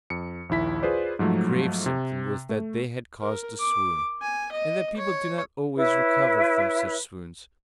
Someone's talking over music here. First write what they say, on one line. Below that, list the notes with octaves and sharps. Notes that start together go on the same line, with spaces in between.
A grave symptom was that they had caused a swoon, and that people do not always recover from such swoons.
F2 C#7
A#1 D#2 E4 B6
F4 G#4 B4 C5 D5
G#2 F3 F#3 A3
C3
A3
A#4
D6
G#5
D#5
C#5
E4 B4 C#5